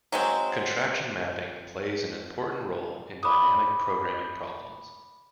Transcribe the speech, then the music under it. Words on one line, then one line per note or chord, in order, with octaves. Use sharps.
Contraction mapping plays an important role in dynamic programming problems.
F#3 G#3 C4
B5 D6 D#6